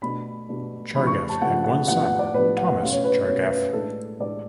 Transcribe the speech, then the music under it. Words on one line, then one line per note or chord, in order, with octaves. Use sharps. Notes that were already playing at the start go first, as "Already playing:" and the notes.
Chargaff had one son, Thomas Chargaff.
B2 A3 D4 B5
B2 A3 D4
C#3 F3 A3 D4 B5
C#6
A5
C#3 F3 A3 D4 F#5
F#5
A2 F3 B3 D4 F#5
F#5
D5
A2 F3 B3 D4 B4
F#5
B2 A3 C#4 F5
C#5
B4
B2 A3 C#4 C#5
B4
A2 G#3 D4 A4
A2 G#3 D4 D5